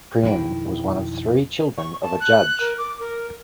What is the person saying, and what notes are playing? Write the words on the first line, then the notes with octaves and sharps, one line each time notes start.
Prien was one of three children of a judge.
B1 F2 D#3 E4 G5
C#6
A5
F#6
A#4
D6
A#4